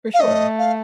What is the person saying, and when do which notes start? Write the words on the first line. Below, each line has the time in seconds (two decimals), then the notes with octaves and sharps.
For sure.
0.14 F5
0.20 A3 D#5
0.58 F5